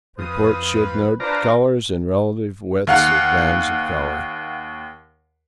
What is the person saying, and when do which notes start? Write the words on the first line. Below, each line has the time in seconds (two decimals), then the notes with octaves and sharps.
Reports should note colours and relative width of bands of colour.
0.19 F2 B4 D#6
1.20 D4 F4 B4 C5 D5 A#5
2.87 D#2 F5 F#5